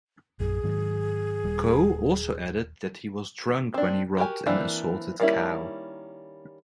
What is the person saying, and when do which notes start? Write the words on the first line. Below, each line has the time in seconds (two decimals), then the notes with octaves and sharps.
Kho also added that he was drunk when he robbed and assaulted Cao.
0.40 A#1 F#2 G#4
0.64 G#2 D#3 F#3
1.44 D#1 G3
3.74 C4 D4
4.17 F#4 G4 A#4 G#5
4.46 E3 A#3 C4 D4
5.20 D#3 G3 A#3 C#4 E4